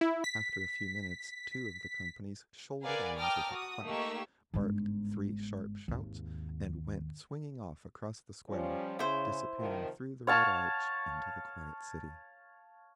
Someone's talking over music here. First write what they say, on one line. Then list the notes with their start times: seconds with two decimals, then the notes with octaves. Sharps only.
After a few minutes two of the companies shouldered arms with a clash, barked three sharp shouts, and went swinging off across the Square, disappearing through the Red Arch into the quiet city.
0.01 E4
0.24 B6
2.84 A#4 B4 D5 F5 F#5 G#5
3.18 G5 A5 A#5 D6 D#6 F6
3.51 F#4 D#6
3.84 A3 A#3 D#4 G4 C#6 E6
4.54 G1 G#2
5.88 G#1 D#2
8.49 F3 G3 C#4
8.99 C#3 E4 C5
9.58 C3 D#3 F3
10.27 C#5 F5 A5